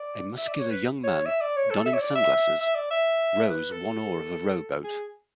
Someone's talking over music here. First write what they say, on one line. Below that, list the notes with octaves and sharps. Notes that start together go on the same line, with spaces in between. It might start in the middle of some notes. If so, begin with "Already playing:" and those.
A muscular young man, donning sunglasses, rows one oar of a rowboat.
Already playing: D5
E5
D5
C#5
B4
C#5
E5
D5
C#5
A4
E5
C#5
D5
E5
E5
D5
E5
B4
A4
G#4